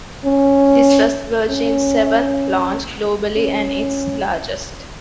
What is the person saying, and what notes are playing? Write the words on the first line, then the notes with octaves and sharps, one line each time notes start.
This was Virgin's seventh launch globally and its largest.
C#4
C#4
C#4